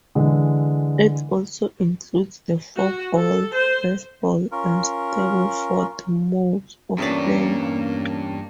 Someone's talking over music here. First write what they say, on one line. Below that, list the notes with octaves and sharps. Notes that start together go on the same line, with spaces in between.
It also includes the Four Ball, Best Ball, and Stableford modes of play.
D3 E3 G#3
F#4
A4
C5
C#4 F4 A#4
E2 G2 A#2 A#3 C#4 G4 C#5 D5